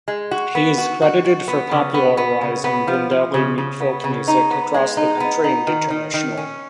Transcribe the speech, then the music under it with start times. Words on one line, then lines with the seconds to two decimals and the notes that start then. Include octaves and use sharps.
He is credited for popularizing Bundeli folk music across the country and internationally.
0.08 G#3
0.31 F#4
0.55 B3
0.78 F#4
1.02 F#4
1.25 F#4
1.48 B3
1.71 C#3
1.94 B3
2.17 B3
2.41 C#3
2.64 B3
2.88 F3
3.11 F3
3.34 C#3
3.58 C#3
3.80 B3
4.04 C#3
4.28 D#4
4.51 B3
4.74 G#3
4.97 D#4
5.20 B3
5.44 D#4
5.67 D#3
5.90 D#3
6.14 D#3
6.37 C#4